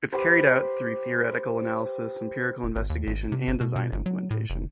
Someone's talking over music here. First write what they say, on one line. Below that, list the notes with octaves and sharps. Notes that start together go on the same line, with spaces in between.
It is carried out through theoretical analysis, empirical investigation, and design implementation.
G4 B4 C5
F1
G#1
D#2
G#1
C3
G1
B2
B2
G1
F#3
A2
F1